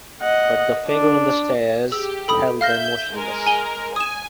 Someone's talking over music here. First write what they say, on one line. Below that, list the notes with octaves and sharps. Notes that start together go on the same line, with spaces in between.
But the figure on the stairs held them motionless.
D#5 F#5
D4
G4 G#4 E6
A4 B5 D#6
E5 F5 F6 G6 A#6
G#3 A#4
G#5 G7
G#5 D#6 E7